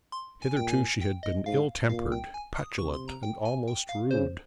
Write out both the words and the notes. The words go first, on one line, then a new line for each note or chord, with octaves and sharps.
Hitherto she had been ill-tempered, petulant, and almost rude.
C6
G#5
A#2 G5
G#5
G5
D#5
G#2 F5
A#2 F5
G5
G#5
D#6
C3 C#6
C6
A#5
G5
G#5
G5
F5
C#3 C5